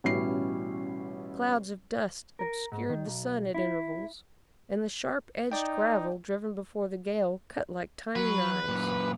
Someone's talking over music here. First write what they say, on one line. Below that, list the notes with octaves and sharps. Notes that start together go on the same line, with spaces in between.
Clouds of dust obscured the sun at intervals, and the sharp-edged gravel driven before the gale cut like tiny knives.
A1 B2 G3 C#4 E4 C7
A#4
G#2
D#3
B1
E4
D#4 D5 G5
F#3 B4
F#2 A#2